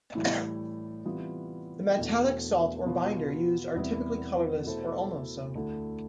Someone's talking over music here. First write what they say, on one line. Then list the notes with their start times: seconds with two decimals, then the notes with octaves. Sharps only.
The metallic salt or binder used are typically colourless or almost so.
0.15 A2 E3 G3
1.05 C3 E3 G3 B3 F4
1.95 E2 B2 A3 D4
2.85 B2 B3 F4
3.75 E2 C3 G3 B3 E4
4.65 B2 A3 E4 A4 C5
5.55 D2 D3 A3 E4